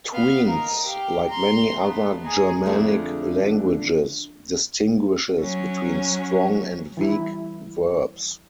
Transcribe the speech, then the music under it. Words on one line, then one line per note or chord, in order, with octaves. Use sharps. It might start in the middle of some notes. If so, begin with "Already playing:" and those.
Tweants, like many other Germanic languages, distinguishes between strong and weak verbs.
B3 F5
D#4 A#4
G4 F5
A#5 C6
A3 B3
D#4 G#4
F2 D3 A3 F4 G#4
F#3 C#4
E3 G3 E4